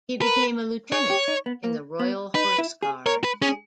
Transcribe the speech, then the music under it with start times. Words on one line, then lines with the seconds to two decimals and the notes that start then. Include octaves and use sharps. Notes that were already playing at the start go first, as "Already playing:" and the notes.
He became a lieutenant in the Royal Horse Guards.
0.21 A#4 B4
0.92 G#4 C#5
1.10 G4
1.28 D#4
1.46 B3
1.64 A#3
1.99 B3
2.35 D#4 B4
2.58 E4
2.83 G#4
3.06 A#4 C#5
3.24 B4
3.42 C#4 G#4